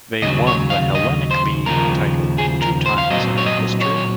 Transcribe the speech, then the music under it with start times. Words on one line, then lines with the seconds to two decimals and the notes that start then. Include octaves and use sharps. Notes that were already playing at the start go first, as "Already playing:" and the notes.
They won the Hellenic League title two times in their history.
0.22 D#2 C#3 F#3 D#5
0.47 C#5
0.70 F5
0.95 D#5
1.31 C5
1.66 D#2 C#3 F3 A#4
2.38 G#4
2.62 A#4
2.86 C5
2.98 F5
3.10 A#2 F#3 C4 D#5
3.38 C#5
3.46 D#5
3.81 C#5